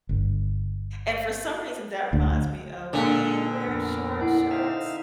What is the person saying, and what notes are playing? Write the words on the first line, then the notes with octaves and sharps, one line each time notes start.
And for some reason, that reminds me of: We wear short shorts.
G1
D2
A#2 D3 G#3 G#4 F5
F2 B3 A#4
E4 A#4 D5 F#5
D#4 E5 F5